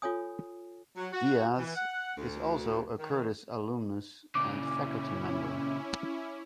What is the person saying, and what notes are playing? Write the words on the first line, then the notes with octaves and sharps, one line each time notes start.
Diaz is also a Curtis alumnus and faculty member.
F4 A4 C#5 G#5 D#6
F#3
F#4
E3
F#5
D2
D#3
A#2 C#3 C#4 E4 D6